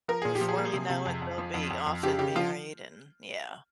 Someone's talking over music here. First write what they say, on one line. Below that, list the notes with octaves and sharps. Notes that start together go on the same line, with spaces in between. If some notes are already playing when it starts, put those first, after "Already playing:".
Before you know it, they'll be off and married and yeah.
F3 A#4
A#2 G#4
G4
F3
G#4
A#3
C3
C3
F2
F2
F3
F2
F2
F2
C#3 G4
C#3 G4
F3 F4